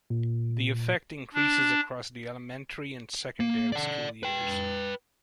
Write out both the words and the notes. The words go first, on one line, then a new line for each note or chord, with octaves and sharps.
The effect increases across the elementary and secondary school years.
A#2
D4
A#3
D5 F#5
B4 G5